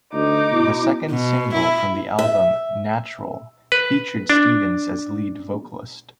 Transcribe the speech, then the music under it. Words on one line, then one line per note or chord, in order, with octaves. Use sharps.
The second single from the album, "Natural", featured Stevens as lead vocalist.
D2 D#4 D6
B2 E4
B2
E4
E5
B4
D4